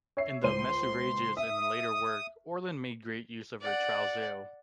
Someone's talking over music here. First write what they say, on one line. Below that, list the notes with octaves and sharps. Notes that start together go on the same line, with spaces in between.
In the "MesuRages," and in later work, Orlan made great use of her "Trousseau".
C#5 E5 C7
C#2 C5 C6 D#7
E5 D#6
D5 F#5